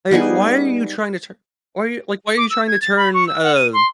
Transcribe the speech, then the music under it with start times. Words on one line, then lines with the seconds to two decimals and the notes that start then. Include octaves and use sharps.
Like, why are you trying to tu why are y like, why are you trying to turn a
0.11 G3 B3 D#4 G#4
2.37 D6
2.50 E6
2.67 G#6
2.81 A6
2.97 B5
3.14 C#6
3.27 E6
3.43 F#5
3.55 D#7
3.73 C6